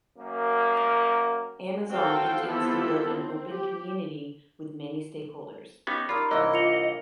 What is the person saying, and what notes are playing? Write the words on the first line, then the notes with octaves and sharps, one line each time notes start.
Amazon intends to build an open community with many stakeholders.
F#2 A#3
C4 F#4 A4 C5 F5 G5
B3 C4 E4 F4 G4 A4
C4
G4
B3 C#4 D#4 G4 B5 E6
D#4 F4 A#4 D5 B5 C6 D#6
C2 E3 A#3 D4 C#5 D#5
F4 C#7 F7